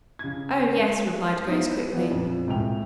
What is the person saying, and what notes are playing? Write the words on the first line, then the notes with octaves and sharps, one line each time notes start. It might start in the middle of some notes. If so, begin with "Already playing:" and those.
"Oh, yes," replied Grace quickly.
C#3 G#6
G#3 A3
B3 D#4 E4 C#5
E3 B3 D4 F4
F2 A#2
E1 C2 A2 G#3 G5 F7